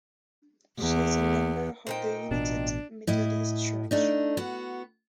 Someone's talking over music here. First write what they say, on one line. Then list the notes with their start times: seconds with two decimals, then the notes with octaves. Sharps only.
She is a member of The United Methodist Church.
0.80 E2
1.87 A#2 D#4 C5 G5
2.31 A1 B2 D4
3.07 A2 E4 D#5
3.91 A3 D4 D#4
4.37 B3 F#4